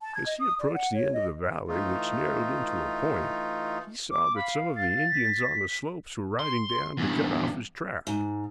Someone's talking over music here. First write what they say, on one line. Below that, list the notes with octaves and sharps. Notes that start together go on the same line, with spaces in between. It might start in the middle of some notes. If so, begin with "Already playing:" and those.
As he approached the end of the valley, which narrowed into a point, he saw that some of the Indians on the slopes were riding down to cut off his track.
A5
G#6
D#5
D#6
D5
F#5
C#5
D#5
E3 A3 D#4 F4
D6
F5 B5
A6
B6
C6
E2 G2
G#2